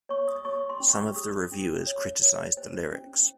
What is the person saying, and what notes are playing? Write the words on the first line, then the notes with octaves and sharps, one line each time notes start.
Some of the reviewers criticized the lyrics.
C#5 C#6
D#6
C#5 C#6
C6
C#4
C#6
G#4 D#6
C#4
C#5
C#5
C5
C#4